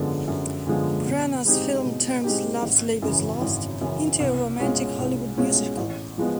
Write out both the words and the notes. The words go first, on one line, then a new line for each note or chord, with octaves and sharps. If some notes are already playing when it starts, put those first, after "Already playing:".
Branagh's film turns "Love's Labour's Lost" into a romantic Hollywood musical.
Already playing: F#2 D3 F3 G#3 B3
F#2
D3 F3 G#3 B3
B2
G#3 C4 D#4 G4
B2
G#3 C4 D#4 G4
G#1
F#2 C#3 E3
G#1
F#2 C#3 E3
C2
B2 G#3 C#4 F4
C2
B2 G#3 C#4 F4
A1
F3 G#3 B3